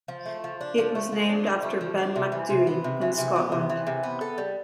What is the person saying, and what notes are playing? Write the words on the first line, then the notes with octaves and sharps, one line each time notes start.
It was named after Ben Macdhui in Scotland.
F3
A3
F3
D4
F3
A3
F3
D4
F3
A3
F3
D4
C3
E3
C3
B3
C3
E3
C3
B3
C3
E3
C3
B3
A4
G3